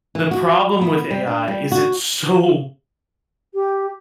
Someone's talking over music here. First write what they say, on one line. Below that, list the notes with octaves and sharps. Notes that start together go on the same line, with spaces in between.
The problem with AI is it's so
E3
F#4
B3
G3
D4
G3
F#4
G4